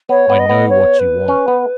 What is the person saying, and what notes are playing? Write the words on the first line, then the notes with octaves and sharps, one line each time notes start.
"I know what you want."
B3 C#5
B3
D#5
B3
C#5
B4
C#4
B3